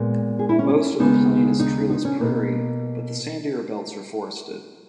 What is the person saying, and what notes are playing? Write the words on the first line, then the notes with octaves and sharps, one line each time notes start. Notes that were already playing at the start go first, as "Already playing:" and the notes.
Most of the plain is treeless prairie, but the sandier belts are forested.
Already playing: A#2 G#3 B3
G#4
E4
C#4
C#4
D#2 C#3 G#3 B3 D#4
D#4
D#4
C#4
B2 A#3